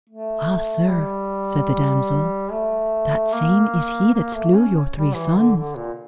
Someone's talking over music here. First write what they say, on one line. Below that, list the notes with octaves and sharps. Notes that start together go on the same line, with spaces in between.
Ah sir, said the damosel, that same is he that slew your three sons.
A3
G3
A3
A#3
A#3
A3
C#4
G3
E3
D3
D3
A#2